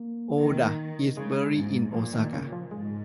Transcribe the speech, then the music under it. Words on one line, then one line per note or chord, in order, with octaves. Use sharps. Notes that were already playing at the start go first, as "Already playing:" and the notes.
Oda is buried in Osaka.
Already playing: A#3
D#3
C#3 G#3
G#2
A#2 F3
D#3
C#3
F3
G#2 G#3